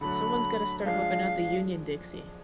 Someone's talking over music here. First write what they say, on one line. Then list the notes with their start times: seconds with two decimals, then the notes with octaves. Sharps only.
Someone's gotta start whipping out the union Dixie.
0.01 D3 F#3 A3 B5
0.85 F3 G#3 D4 F5